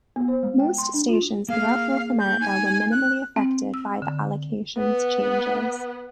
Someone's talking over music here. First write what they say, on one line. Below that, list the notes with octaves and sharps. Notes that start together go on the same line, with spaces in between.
Most stations throughout North America were minimally affected by the allocations changes.
B3
C5
G#3
G5
C6
D4
F4
A#3 G#4 F5
G6
D#4 G#5
F#6
C4
E6
D3
B3